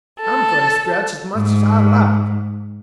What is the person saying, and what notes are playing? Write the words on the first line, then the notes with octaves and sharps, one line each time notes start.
"I'm going to scratch as much as I like!"
A4
G#2